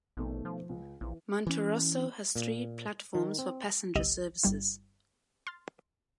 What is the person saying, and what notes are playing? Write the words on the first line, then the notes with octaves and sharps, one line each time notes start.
Monterosso has three platforms for passenger services.
A#1 B2 D#3 A3
F3
C#2
A#1 E3
E3 C#4
A#2
D#3
C4
G1 C2 G4 D#5 E6 D#7
G1 G3 E4
C6 F6 A6